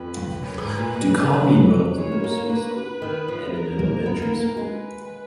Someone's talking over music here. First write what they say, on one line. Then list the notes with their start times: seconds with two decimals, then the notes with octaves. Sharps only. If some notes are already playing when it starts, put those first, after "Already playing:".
The commune runs a nursery school and an elementary school.
Already playing: F2 B4
0.43 F#2
0.61 G#2
0.77 A#2
0.94 B2
1.08 C#3
1.20 D#3
1.34 F#3
1.98 G#3 C#5
2.12 A#3
2.24 A#3
2.37 A#3
2.49 A#3 B4
3.02 D#3
3.28 F3
3.54 A#4
3.79 A#3
4.06 B3
4.22 A#3
4.40 A#3
4.57 G#3 B4